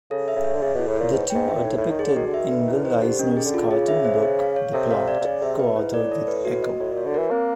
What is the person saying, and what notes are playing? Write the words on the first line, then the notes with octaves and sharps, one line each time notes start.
The two are depicted in Will Eisner's cartoon book "The Plot", co-authored with Eco.
C#3 A4
E5
C#3
C#5
D3
C#3 G#4
B2 E4
A2
A#2 C#5
G#2 B4
G#2 G5
E5
A#2
A2 D#4
A2 C#5
D#3
D3 G#4
D#3 F#4
D3
D#3 E5
D3 B4
D#3
E4
D3
D#3 C5
D3
G4
D#3 C#4
G#4
D3
F4
C#3 G#4
E5
C5
G#4
F5
C#5
C3 A4
F5
D5
C3
C#3 G#4
C3 E5
B2 B4
G#2 E4
D5
A2
A4
B4
F#4
D#5
A2 F#4
A#2 C#5
D3
E3 A#4
A#3 C4